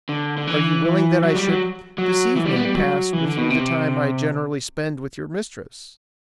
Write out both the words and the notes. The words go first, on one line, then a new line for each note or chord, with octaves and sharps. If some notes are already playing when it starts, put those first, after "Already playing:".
"Are you willing that I should this evening pass with you the time I generally spend with your mistress?"
D3
D3
E3
E3
F#3
G3
F#3
F#3
E3
G3
B3
G3
F#3
E3
D3
B2
C3